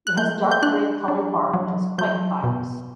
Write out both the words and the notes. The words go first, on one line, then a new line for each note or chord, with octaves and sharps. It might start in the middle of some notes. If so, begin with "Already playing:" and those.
It has dark grey coloured bark that is quite fibrous.
F#6
A#3 G6
G6
D4 F#6
D4
F#3
F#3 G6
B2